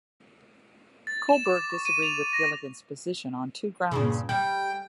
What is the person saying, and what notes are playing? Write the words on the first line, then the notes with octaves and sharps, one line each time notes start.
Kohlberg disagreed with Gilligan's position on two grounds.
A6
E7
D6
C#6
D#7
F7
A#6
G2 A#2 C#3
G3 G5